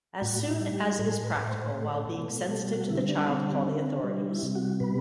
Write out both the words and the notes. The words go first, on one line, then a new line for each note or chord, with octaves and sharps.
As soon as is practical, while being sensitive to the child, call the authorities.
A2 F#4
E4
G3
G4
A2 A4
B4
A2
C5
A3
B2
G3 A4
F#4
D3 E4
D4
G3 C4
C4
D3
C4
G3 D4
E4
C3
F#4
B2 B4